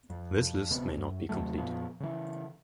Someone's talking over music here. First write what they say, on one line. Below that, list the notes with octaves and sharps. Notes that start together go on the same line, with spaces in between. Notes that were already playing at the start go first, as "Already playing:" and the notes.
This list may not be complete.
F2
D1 C3 B3
F#2
D#2 C3 F#3 A3
F2 A#2 F3 B3
C#3 E3